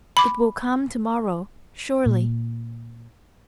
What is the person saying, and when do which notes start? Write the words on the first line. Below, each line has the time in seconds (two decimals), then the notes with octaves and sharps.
"It will come to-morrow, surely."
0.17 B5 D6
2.06 A#2